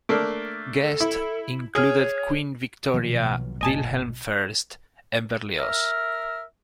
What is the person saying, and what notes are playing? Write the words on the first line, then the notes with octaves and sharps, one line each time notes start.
Guests included Queen Victoria, Wilhelm I, and Berlioz.
A3 A#3 D4
A4
E4
G#4 C#5 F6
B1 D#3 F3 A#3
G1 A#2 D#5 G#5 A5
A#4 E5 F6